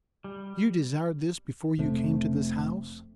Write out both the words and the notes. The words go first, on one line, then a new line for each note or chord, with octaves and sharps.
You desired this before you came to this house?
G3
F1 C3 A3